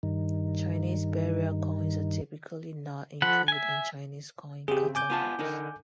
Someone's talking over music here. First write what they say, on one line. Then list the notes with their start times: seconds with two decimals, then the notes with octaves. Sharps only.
Chinese burial coins are typically not included in Chinese coin catalogues.
0.03 G2 D#3
3.22 F3 A4 F#5 B5
3.48 E5 G#5
4.68 C#3 C4 G4 G#4
4.95 G#5 D6 G6
5.10 B3 F4 A5
5.39 D3 D#4 A#4